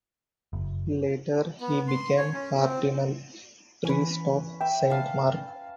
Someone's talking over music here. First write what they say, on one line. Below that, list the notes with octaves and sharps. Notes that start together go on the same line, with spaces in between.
Later he became Cardinal-Priest of Saint Mark.
F#1
B3
C6
C#5
C#4
C4
E3 C#4 B4
B4 E5 G5
F5 A5